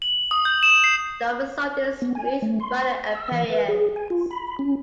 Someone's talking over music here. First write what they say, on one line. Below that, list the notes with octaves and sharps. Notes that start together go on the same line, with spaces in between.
The result is a smooth, rounded appearance.
F#7
D#6
G6
E7
C7
B3
G#5
A3
C6
E6
E3
B4
G#4
G#5
F4
B5
C#4